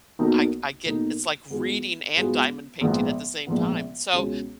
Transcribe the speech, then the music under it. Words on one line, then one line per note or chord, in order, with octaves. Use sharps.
I g I get it's like reading and diamond painting at the same time. So,
B1 B2 A#3 D#4
B1 B2 A#3 D#4
G#2 F#3 B3 F4 G#4
G#2 F#3 B3 F4 G#4
A#1 G#2 F3 B3
A#1 G#2 F3 B3
C#2 B2 G#3 C#4 F4